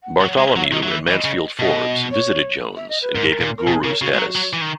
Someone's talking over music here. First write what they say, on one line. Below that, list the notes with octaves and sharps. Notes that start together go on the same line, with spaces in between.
Bartholomew and Mansfield Forbes visited Jones, and gave him "guru" status.
F#5
F#3
G#3
F#3 F#5
E5
D#3 D#5
F#3 E5
E3
E3 D#5
C#3
B2 D#5
C#5
E5
D#5
B4
G#2 A#4
A#2
A#4
B2 G#4
C#3 A#4
C#3 F#4
G#3
F#3
F#3
E3
D#3